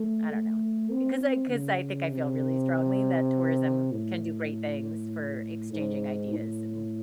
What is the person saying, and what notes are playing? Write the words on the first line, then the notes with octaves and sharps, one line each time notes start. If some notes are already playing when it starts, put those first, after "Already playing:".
I don't know. Because I 'cause I think I feel really strongly that tourism can do great things for exchanging ideas and
Already playing: A3
A3
C4
C4
C#3
C3
A2
G#2
A2